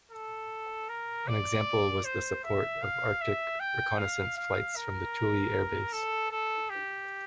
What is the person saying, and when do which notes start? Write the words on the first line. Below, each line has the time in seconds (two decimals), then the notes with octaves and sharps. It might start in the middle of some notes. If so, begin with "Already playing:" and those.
An example was the support of Arctic reconnaissance flights from Thule Air Base.
0.12 A4
0.89 A#4
1.28 D5
2.05 C5
2.44 E5
2.82 F5
3.22 E5
3.60 G5
3.99 F5
4.38 F5
4.76 A#4
5.93 A4
6.31 A4
6.70 G4